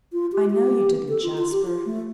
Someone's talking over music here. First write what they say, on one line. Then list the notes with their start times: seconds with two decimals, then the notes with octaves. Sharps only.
'I know you didn't, Jasper.
0.13 F4
0.32 G4
0.51 G4
1.09 A4
1.23 F4
1.38 F4
1.52 G4
1.67 F4
1.86 A3